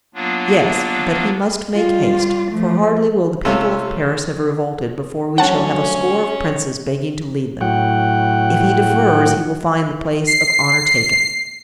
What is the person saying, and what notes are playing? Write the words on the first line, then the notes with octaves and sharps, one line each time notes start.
"Yes, but he must make haste; for hardly will the people of Paris have revolted before we shall have a score of princes begging to lead them. If he defers he will find the place of honor taken."
F#3 A#3 B3 D4 F4
G3 F4
F3 A3
C3 A3 C#4 F4
D2 G2 F#3 C#4 F#5 A5
A2 F#3 F#5 G5
C7